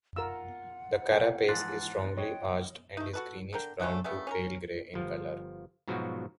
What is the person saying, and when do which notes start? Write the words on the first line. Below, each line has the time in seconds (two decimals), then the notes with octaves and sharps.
The carapace is strongly arched and is greenish brown to pale gray in color.
0.16 F4 A#4 F#5 E6
1.12 A4 G5
1.48 G#2 E3 F3 C6 F#6 A6
2.17 C#5 D#5 G5
2.97 A3 D#4
3.13 F#4 A4 B4
3.53 D3 A#4 G5
3.80 D3 F#3 A3 C#4
4.04 C#3 G3 A3 B3
4.27 C#4 G4 A#4
4.94 G1 F3
5.88 G#2 B2 F3 F#3 F#4